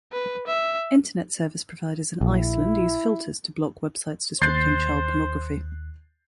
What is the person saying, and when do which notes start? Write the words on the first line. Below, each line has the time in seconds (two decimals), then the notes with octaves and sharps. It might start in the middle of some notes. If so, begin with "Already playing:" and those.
Internet service providers in Iceland use filters to block Web sites distributing child pornography.
0.12 B4
0.47 E5
2.21 A#1 E4
4.42 D#2 C5 F#6 G6 A6 C7